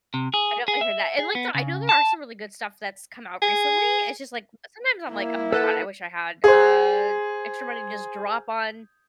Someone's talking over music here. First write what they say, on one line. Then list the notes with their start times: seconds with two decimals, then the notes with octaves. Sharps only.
I definitely heard that and, like, the I know there are some really good stuff that's come out recently. It's just, like, sometimes I'm like, "Oh my god, I wish I had, uh, extra money to just drop on
0.14 C3
0.34 G#4
0.68 G#4
0.81 E5
1.19 G#4
1.35 B3
1.55 C#3
1.89 A5
3.42 G#4
5.10 A#3 E4
5.52 A4 B4 F#5 E7
6.44 G#4 C5